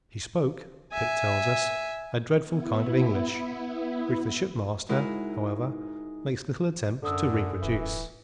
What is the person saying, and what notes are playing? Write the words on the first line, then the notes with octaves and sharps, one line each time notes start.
He spoke, Pitt tells us, a dreadful kind of English, which the shipmaster, however, makes little attempt to reproduce.
E5 G#5
B3 E4
G#3 D#4 E4 F#4 A#4
F#2 D3 A4 D#6 E6
D1 E3